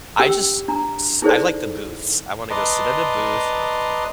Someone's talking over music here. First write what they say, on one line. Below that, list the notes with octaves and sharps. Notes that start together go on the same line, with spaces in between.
I just s I like the booths, I wanna go sit at a booth.
C#4 G4 G5 E6
D4 A#5
D#4 E4 G#4 A4 C5 D5
B4 D5 D#5 A5 A#5 C6